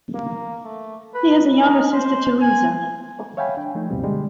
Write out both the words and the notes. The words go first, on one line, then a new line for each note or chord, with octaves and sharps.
He has a younger sister Theresa.
A#3
A3
B4
D#4
C5
G#5
C#5 E5 F5 G5 G#5 B5
D4 G5
F3 A3 D#4
C#2 F#2 B2 G3 C4
D3 G3 G#3